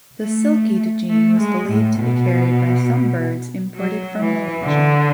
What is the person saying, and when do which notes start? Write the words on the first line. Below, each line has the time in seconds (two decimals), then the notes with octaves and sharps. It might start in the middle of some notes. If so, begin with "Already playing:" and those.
The silkied gene was believed to be carried by some birds imported from Malaysia.
0.21 A3
1.10 A3
1.40 G#3
1.69 A2
1.99 B2
3.76 F#3
4.20 E3
4.64 D3